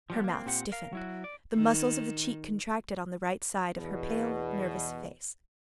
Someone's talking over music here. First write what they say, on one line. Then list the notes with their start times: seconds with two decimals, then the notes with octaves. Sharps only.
Her mouth stiffened, the muscles of the cheek contracted on the right side of her pale, nervous face.
0.10 F3 G3 B3
0.24 A#3 C4
0.46 A#2 C4 G4 F#5
0.72 A#4 F5
0.93 F#3 E4 F#4
1.24 D5
1.55 D#3
3.77 E2 B2